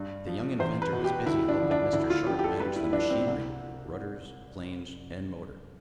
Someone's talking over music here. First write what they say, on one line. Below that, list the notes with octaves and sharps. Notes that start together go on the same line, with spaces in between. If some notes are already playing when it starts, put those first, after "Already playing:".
The young inventor was busy helping Mr. Sharp manage the machinery, rudders-planes and motor.
Already playing: G2
F3
E2 C5
B4
B2
G4
D2 E4
D4
D3 F3
D4
D2 E4
F4
D3 F3 G4
G4
A4
G2 B4
E4
F3 D4
C4
C2